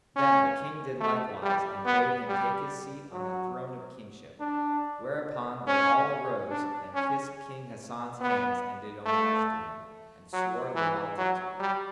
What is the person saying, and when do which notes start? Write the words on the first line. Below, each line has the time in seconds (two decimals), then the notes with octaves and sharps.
Then the King did likewise and bade him take his seat on the throne of kingship; whereupon they all arose and kissed King Hasan's hands and did homage to him, and swore lealty to him.
0.16 C#4
1.01 A3
1.43 G3
1.86 B3
2.28 G3
3.12 F#3
4.40 D4
5.67 C#4
6.51 D4
6.94 C#4
8.21 B3
9.06 A3
10.33 F#3
10.75 E3
11.18 F#3
11.60 G3